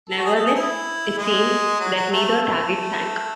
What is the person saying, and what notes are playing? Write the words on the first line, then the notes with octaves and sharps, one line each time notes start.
Nevertheless, it seems that neither target sank.
A4
F#4
G#4
A4
G#4
E4
G#3
F#3
F#3
A3
A3